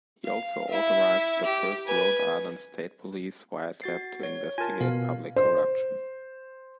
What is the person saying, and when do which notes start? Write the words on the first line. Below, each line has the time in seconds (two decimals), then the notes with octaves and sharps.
He also authorized the first Rhode Island State Police wiretap to investigate public corruption.
0.25 F5
0.69 E4 E5
1.45 G4
1.86 B4 G#5
3.82 F#4 A6 C7
4.23 C#5
4.58 F4 A#4 G#5 A5
4.81 B2 F5
5.36 C5